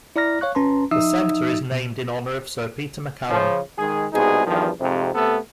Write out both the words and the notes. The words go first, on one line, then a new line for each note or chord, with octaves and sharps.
The Centre is named in honour of Sir Peter MacCallum.
E4 D5 A#5 F6 A#6
C#5 F5 C#6 F#6
G1 C#4 B4 A5 A#5 C6
F3 D#4 E5 D#6 E6
B2
C#3 F3
D#3 G#3 G#4
C2 B2 G#3 D#4 G#4
E2 G2 D#3 F3
F2 G#2 C3
C3 A3 B3 A4